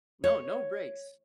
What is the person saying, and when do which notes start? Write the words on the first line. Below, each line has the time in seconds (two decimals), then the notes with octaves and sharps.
No, no breaks.
0.24 C#5